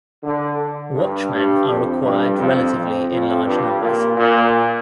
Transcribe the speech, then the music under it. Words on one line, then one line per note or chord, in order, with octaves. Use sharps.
Watchmen are required relatively in larger numbers.
D3
G2
G2
F2
G2
F2
F2
F2
G2
A#2
A#2